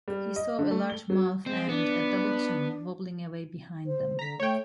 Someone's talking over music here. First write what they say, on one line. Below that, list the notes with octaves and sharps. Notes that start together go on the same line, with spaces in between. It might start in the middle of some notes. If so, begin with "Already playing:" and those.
He saw a large mouth and a double chin wobbling away behind them.
G3
D#5
D3
A3
G7
F#3
G#3 C4
B3 D4
C5
D3 A#5 B6
A3 C#5 G5